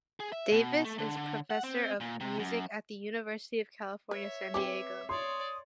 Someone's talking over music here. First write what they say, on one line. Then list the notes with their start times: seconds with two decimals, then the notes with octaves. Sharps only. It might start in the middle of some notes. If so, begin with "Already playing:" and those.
Davis is professor of music at the University of California, San Diego.
0.20 G#4
0.32 E5
0.52 B2
0.85 A3
0.98 D3
1.17 D3
1.50 F#5
1.64 C4
2.01 A#2
2.21 C3
2.39 F#2
4.11 B4 C#5 E5
4.54 C4 G4 G#4 B4 D6
5.09 C#5 D5 C6 D#6